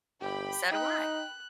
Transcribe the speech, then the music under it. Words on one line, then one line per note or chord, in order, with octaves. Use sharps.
So do I.
G1 G4 G5 B5
D#4 F#6